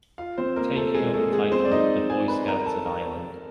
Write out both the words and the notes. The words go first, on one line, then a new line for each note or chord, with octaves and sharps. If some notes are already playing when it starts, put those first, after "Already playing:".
Taking on the title of the "Boy Scouts of Ireland".
F4 F5
C4 C5
A#3 A#4
A3 A4
G#3 G#4
A3 A4
G#3 G#4
C4 C5
D5
D#4 D#5
G#4 G#5
B4 B5
A#4 A#5
A4 A5
A#4 A#5